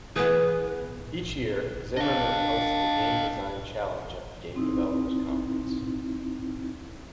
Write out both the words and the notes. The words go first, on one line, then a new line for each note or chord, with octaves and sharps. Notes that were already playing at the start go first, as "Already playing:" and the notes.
Each year Zimmerman hosts the Game Design Challenge at the Game Developers Conference.
E3 B3 G#4 B4
D4 D#5 F5
C4 D#4 E4